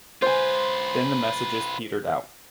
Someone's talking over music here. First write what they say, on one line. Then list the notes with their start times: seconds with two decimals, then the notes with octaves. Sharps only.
Then the messages petered out.
0.22 F4 B4 C5 G#5